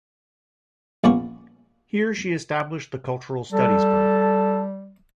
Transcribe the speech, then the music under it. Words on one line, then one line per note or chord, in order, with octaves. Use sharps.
Here she established the Cultural Studies program.
A#1 A#3 B3 C#4 C#6
G3 A4 A5